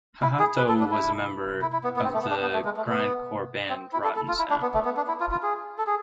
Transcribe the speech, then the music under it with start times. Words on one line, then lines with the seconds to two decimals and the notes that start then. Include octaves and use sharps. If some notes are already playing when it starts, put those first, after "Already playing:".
Hahto was a member of the grindcore band Rotten Sound.
0.22 E4
0.40 G#4
0.58 B4
0.68 A4
0.80 D4
0.91 E4
1.62 E4
1.73 E4
1.84 B3
1.97 B3
2.04 C4
2.14 A3
2.22 B3
2.30 D4
2.42 B3
2.53 A3
2.65 G#3
2.77 A3
2.89 B3
3.69 C4
3.93 E4
4.04 A4
4.16 A4
4.28 F4
4.39 E4
4.50 D4
4.62 B3
4.74 A3
4.85 B3
4.97 D4
5.08 E4
5.20 F4
5.31 F4
5.43 G#4
5.78 A4
5.87 G#4